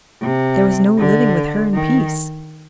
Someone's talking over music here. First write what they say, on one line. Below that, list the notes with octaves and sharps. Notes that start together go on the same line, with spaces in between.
There was no living with her in peace.
C3
D3
D#3